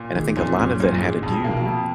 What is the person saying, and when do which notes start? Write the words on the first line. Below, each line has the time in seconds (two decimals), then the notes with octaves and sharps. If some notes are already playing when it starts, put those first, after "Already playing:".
And I think a lot of that had to do,
Already playing: A#2
0.15 D#3 G#3
0.36 F2 A#2
0.58 F#2 C#4
0.80 F#2 A#2
1.00 G#2 G#3
1.22 F2 A#2
1.44 A#3
1.51 B2
1.65 F2